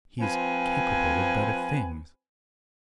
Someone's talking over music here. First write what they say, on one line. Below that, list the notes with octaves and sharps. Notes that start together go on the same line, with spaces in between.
He is capable of better things.
F3 C4 B4 G#5